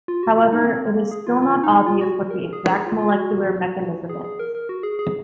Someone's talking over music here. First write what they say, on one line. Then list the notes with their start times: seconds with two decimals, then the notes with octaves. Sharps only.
However, it is still not obvious what the exact molecular mechanism is.
0.08 F4
0.23 F#4
0.38 F4
0.52 D#4
0.64 C4
0.75 C4
0.85 G#3
0.96 A#3
1.11 G#4
1.27 F4
1.42 F4
1.63 D#4
1.87 F4
2.01 F#4
2.31 A#4
2.53 G#4
2.75 G#4
2.86 F4
2.99 F4
3.09 F#4
4.09 G#4
4.24 G#4
4.39 A#4
4.55 A#4
4.69 F#4
4.83 G#4
4.99 G#4